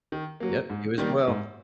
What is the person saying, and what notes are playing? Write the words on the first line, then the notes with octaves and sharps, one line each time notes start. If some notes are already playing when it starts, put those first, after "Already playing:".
Yep, you as well.
D#3
F#3 A#3
G#2
D#3 G3 A#3
G#2